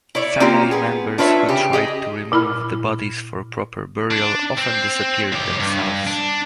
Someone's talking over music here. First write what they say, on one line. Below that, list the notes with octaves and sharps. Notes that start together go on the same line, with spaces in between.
Family members who tried to remove the bodies for proper burial often disappeared themselves.
E4 C#5 D5
A#3 C4 C#4 F4 G4
B3 G#4
D4 F4 B4 C#5 D#5 E5
C#3 G4
G4 G#4 D#5
A#2 E4 B5 F6
D4
C4
C#2 G4
G2
D4